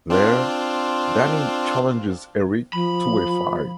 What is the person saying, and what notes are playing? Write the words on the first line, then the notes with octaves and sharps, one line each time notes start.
Later, Danny challenges Eric to a fight.
C4 D4 F4
F3 B5